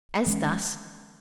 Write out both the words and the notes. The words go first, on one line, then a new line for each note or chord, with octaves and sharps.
As thus.
E3 G#3 C#4